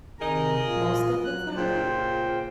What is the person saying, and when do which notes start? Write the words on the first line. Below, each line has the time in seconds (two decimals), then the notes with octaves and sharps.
most of the time
0.20 C3 D#3 G#4 A#4 D#5 A#5
0.64 A#2 F4
1.24 F#3 F#6
1.56 A#2 C#3 F4 C5 G5